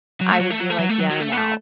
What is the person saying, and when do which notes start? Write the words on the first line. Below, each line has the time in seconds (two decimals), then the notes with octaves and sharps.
I would be like, "Yeah. I'm out."
0.21 F#3
0.31 A3
0.40 F#3
0.50 A3
0.60 F#3
0.70 A3
0.79 F#3
0.89 A3
1.00 F#3
1.10 F#3
1.20 A3
1.32 B3
1.37 A3